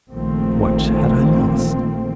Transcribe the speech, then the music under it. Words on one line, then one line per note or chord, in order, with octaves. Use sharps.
What had I lost?
A#1 D#3 F3 A3 A#3 C4